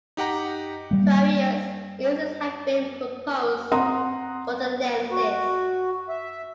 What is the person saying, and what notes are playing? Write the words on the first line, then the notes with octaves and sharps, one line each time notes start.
Various uses have been proposed for the lenses.
D#4 G4 F#5 A#5
G3 A#3
C4 F#5 A#5 C6 D#6
F#4
E5